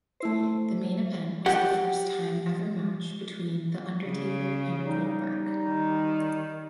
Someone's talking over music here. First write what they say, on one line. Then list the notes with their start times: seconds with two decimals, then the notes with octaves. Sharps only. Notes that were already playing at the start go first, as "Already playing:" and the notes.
The main event was the first time ever match between The Undertaker and Goldberg.
0.20 A3 E4 C5
1.46 G4 F#5
4.04 C#3
4.85 G3 D#4
5.64 D#3